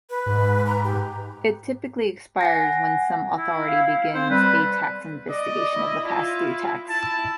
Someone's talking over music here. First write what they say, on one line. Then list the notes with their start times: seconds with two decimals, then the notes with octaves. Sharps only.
It typically expires when some authority begins a tax investigation of the past-due tax.
0.10 B4
0.26 G#2
0.66 A#5
0.84 G4
2.41 F#5 G#5 A#6
3.37 E4
3.68 F5
4.15 C4 C5
4.30 G3 B4
5.30 D5 D#5
5.75 E4
6.05 E4 F4
6.89 E4 A5